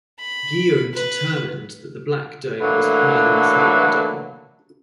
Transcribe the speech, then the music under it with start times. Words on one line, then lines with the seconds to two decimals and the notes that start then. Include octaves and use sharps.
Guyot determined that Black Dome was higher than Smoky Dome.
0.20 B5
0.94 B4
2.61 D3 E3 F#3 A3 A#3